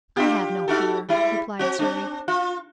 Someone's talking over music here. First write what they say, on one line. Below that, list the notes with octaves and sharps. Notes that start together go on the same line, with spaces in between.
"I have no fear," replied Surrey.
D4 F4 G4
D#4 F#4 A4
G3 G#3 E4
C4 F#4
C4 D4
F4